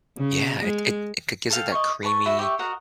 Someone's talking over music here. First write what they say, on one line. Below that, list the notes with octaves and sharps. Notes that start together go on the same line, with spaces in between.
Yeah, it it it it gives it that creamy,
C#3
G#3
A4 F5 G5
D#5 C#6
B4 A5 C#6
F#4 E5 B5
G4 E5 C#6
F#4 A#4 D#5 F#5